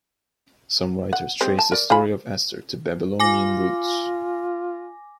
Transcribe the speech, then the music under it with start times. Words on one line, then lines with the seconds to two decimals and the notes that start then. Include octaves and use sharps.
Some writers trace the story of Esther to Babylonian roots.
1.13 F#5
1.41 G#3 C4 G4
1.59 A5
1.72 A#4 D5
1.90 F4 G#4 B5
3.20 F4 G#5 D6 A#6